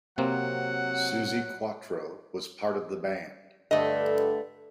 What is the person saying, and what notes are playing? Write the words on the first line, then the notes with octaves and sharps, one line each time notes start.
Suzi Quatro was part of the band.
C3 F#3 A#3 C4 F#5
G2 D3 A3 D#5